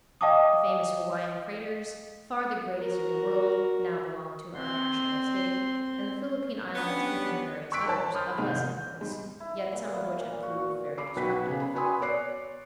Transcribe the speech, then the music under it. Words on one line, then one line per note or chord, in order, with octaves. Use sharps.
The famous Hawaiian craters, far the greatest in the world, now belong to our national estate, and the Philippine Islands contain various others, of less importance, yet some of which have proved very destructive.
D#5 F5 G5 A5 D6 D#6
F#4 A#4
C4 C6
B3 C#4 D4 G4
C#6 E6 F#6 B6 D7
A#4 C5 C#5 A5
B5 C6 D#6 F6 G6
C2 G#2 D#3 A#3
G6
G#2 G3
E4
A#2
B3
F5
A#2
F#4
C#6
B5 D6 C7
B1 F#4 B4 G5 B6
C#3
B5
F#4 B4 G#5 B5 C6 D#6
C#5 D5 D6 F#6 C7